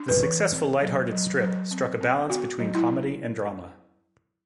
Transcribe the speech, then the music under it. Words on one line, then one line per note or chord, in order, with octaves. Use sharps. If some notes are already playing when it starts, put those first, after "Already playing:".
The successful lighthearted strip struck a balance between comedy and drama.
Already playing: D4
B4
E3
C4
F#3
F#3
F#3
C4
C4
B3 F#4
F#3
E4